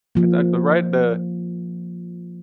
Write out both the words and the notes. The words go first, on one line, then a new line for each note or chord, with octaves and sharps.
It's at the right the
F3 A#3